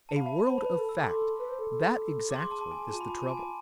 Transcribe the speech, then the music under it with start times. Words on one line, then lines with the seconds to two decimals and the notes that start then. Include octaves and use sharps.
"A world" of fact!--that exactly is the trouble.
0.09 A5
0.16 F5 B5
0.26 E5 A5
0.36 B5
0.47 C5 A5
0.58 B5
0.62 B4 A5
0.78 A4
0.89 E6
0.99 D6
1.08 C6
1.39 B4
1.49 C5
1.59 A4
1.70 A4
2.31 G#4 D6
2.36 C6
2.41 D6
2.51 A5
2.61 A5
2.71 G#5
2.82 A5
2.93 F4 A5
3.01 B5
3.08 A5
3.23 A5
3.30 G#5
3.37 A5